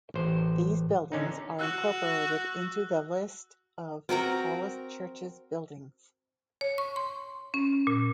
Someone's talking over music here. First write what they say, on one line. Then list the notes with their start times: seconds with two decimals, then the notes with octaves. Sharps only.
These buildings are incorporated into the list of tallest churches buildings.
0.14 A1 C5
1.12 D3 C#4 D#4
1.59 F#4 E6 F#6
4.09 C4 F#4 A#4 A#5
6.61 C#5
6.78 C#6
6.96 C6
7.54 C#4
7.87 A#2